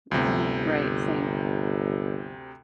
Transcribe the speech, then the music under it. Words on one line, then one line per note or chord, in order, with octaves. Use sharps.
Mhm. Right. Same.
G1 D2 C3